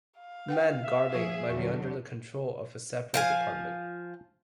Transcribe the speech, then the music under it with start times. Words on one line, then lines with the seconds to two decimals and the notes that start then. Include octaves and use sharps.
Manned guarding may be under the control of a separate department.
0.19 F5
0.48 B4 F#5 G5
0.82 E5
1.14 F3 G#4 C5
1.49 E2 D3 F#3 F#4
3.14 F3 F5 G#5